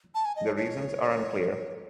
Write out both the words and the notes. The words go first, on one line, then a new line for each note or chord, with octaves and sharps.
The reasons are unclear.
A5
G#5
D#5
C#5
C#5